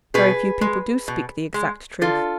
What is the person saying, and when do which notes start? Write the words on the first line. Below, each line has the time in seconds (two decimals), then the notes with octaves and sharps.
'Very few people do speak the exact truth.
0.14 B2 G#4 B4
0.61 G#3
1.08 B2
1.54 G#3
2.01 D3 F4 A4